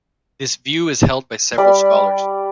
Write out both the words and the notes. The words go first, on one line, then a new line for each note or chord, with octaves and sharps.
This view is held by several scholars.
G3 D5 B5